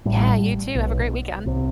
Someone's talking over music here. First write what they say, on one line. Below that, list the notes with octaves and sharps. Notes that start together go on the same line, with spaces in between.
Yeah, you too. Have a great weekend.
A1 A2 G3
B1
B2
C2 C3